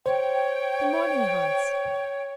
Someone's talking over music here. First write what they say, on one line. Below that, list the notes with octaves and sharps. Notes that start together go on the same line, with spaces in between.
'Good morning, Hans.
C5 C#5 G5